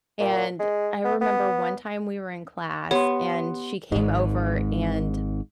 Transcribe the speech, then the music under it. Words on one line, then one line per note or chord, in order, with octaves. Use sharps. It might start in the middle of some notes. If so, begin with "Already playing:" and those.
And I remember one time we were in class, and she came over and
A#2
G#3
B3
B3
B3 G4 C#5 C6
G#1 G#2